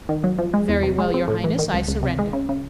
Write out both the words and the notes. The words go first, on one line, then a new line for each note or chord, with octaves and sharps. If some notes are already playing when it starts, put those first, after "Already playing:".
"Very well, your Highness, I surrender."
D#3
F#3
F3
G#3
E2
C3
G#3
C4
A2
E3
D#3
C#2
C#2
C3
G#3
C#3
C#3